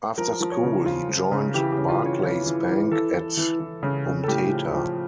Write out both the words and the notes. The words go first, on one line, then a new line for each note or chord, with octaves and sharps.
After school, he joined Barclays bank at Umtata.
F3 A#4
F3
C#5
C#3
F3 F4
F3
C#3
E3 G4
G4
C#3
F4
C#3 C#5
E3 C#5
E3
E3
E3 A4
E3
E3
E3
C#3
C#3
A4
A2 G4
F3
F3